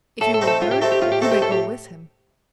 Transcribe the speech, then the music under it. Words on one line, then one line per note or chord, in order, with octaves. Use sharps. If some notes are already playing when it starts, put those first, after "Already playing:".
If you will hurry, you may go with him!
A2 A4
A4
A3 C4 D#4
A4
A2 F4
G4
A3 C4 D#4 A4
G4
A2 F4
G4
A3 C4 D#4 A4
G4
A2 A4
G4